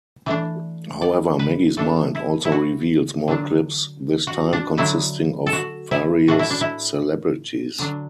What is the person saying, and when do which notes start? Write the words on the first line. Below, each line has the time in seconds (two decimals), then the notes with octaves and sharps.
However, Maggie's mind also reveals more clips, this time consisting of various celebrities.
0.26 E3 A3 D4
1.01 D5
1.39 B4
1.77 E3 A3 D4 A4
2.15 E4
2.45 E4
2.52 F#4
3.28 D3 F#3 D4
4.27 F#4
4.53 D4
4.77 D3 F#3 D4 E4
5.46 A4
5.53 F#4
5.91 E4
6.28 A2 A3 D4 F#4
6.39 E4
6.50 D4
6.61 E4
7.79 D3 F#3 D4